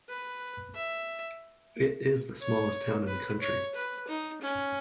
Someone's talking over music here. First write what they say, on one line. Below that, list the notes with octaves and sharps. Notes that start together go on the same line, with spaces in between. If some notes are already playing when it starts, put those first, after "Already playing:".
It is the smallest town in the country.
B4
E5
C#5
B4
C#5
B4
D#4
C#4